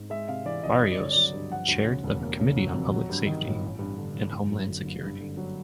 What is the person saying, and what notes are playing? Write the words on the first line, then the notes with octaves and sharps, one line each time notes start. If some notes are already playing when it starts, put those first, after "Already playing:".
Barrios chaired the Committee on Public Safety and Homeland Security.
Already playing: G#2
G#3 E5
C3 F5
E3 D5
C#2 D#5
G2 D#5
D5
D3 C#5
F#3 D5
G2
F3 F#5
D2
C#3
E1
A#3
C#3
F#3
F2
F#3
G2
D#3
G1
A1
G2
D3
A1
F#1
F#2
D3
F#1
G2
D3
F#3